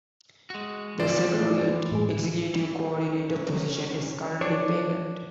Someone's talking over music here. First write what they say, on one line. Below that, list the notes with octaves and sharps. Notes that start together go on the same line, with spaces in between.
The Secretariat's Executive Coordinator position is currently vacant.
G#3 F#4
E3 F3 C5 D5
A2 G#3 G#4
F#2 D3 C#4
E3 F3 D4 C#5